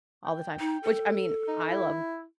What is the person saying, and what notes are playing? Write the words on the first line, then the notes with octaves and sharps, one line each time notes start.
all the time," which, I mean, I love
G5
D#4
A4
D#4
E4